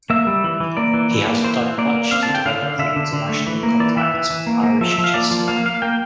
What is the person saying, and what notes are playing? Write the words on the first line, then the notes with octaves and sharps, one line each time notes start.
He has done much to develop the international contacts of Irish chess life.
A#3 E5
G3
E3
E3
A#3 D5
E3
E3
A#3
E3 C5
E3
A#3 D5
A#3
C4 F5
A5
D3
G5
D3 F5
D3
D3 E5
D3
D3
A3
E3
A#3
E3 D5
E3 E5
E3
E3
A#3
A#3
F3 E5
E5
F3
F5
A#3 D5
F3
A#3 F5
A#3 F5
A#3 G5